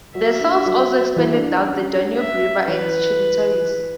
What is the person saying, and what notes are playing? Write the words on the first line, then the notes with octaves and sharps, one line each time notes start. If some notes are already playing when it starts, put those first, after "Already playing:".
The Celts also expanded down the Danube river and its tributaries.
F#3 F#4 E5
D4
F#3 F#4
E3 E4
D4
D4
C#4
D4
C#4 E5
C#4
E3 E4 B4